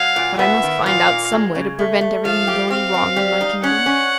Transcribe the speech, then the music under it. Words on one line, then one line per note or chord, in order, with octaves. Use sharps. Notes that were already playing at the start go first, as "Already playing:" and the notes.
But I must find out some way to prevent every thing going wrong in my kingdom.
Already playing: F#3 F5
A#2
B3 E5
D#3
A#2 F5
A#3
G#3
C#3
A3
A3
F3 F5
G4
C4 F5
C4
G3
D#4
C#4 F#5
C#4